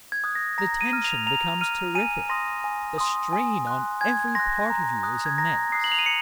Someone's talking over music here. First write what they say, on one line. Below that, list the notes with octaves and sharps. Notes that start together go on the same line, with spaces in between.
The tension becomes terrific, the strain on every part of you is immense.
G#6
D#6 F#6
A#6
A#5 A#6
D#7
F6
F7
A#5 F7
F6 D#7
G#5 D#7
C6 D#6 A#6
G#5
C6 D#6
G#5
C6 F#6
G#5 G#6
C6 F#6 A#6
A#5
D#6 F#6
G#6
A#5 A#6
D#6 F#6 C7
F#7
F7
D#7
C#7